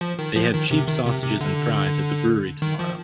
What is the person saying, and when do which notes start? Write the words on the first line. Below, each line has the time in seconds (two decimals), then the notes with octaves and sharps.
They have cheap sausages and fries at the brewery tomorrow.
0.01 F3
0.19 D#3
0.36 F3
0.53 D#3
0.71 C3
0.88 D#3
1.06 C3
1.23 C3
1.41 D3
2.62 D#3
2.79 F3